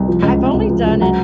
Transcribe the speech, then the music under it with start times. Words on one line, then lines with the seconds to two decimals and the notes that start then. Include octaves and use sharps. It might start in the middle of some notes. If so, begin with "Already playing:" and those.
I've only done it
Already playing: C2
0.08 F3
0.23 C#2
0.39 C3
0.54 C#2
0.70 F3
0.86 C#2
1.01 F#3 F#5 A#5